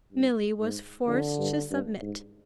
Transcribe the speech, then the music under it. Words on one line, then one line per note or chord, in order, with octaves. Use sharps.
Milly was forced to submit.
G2
G#2
F2 D3
G2
G2
G#2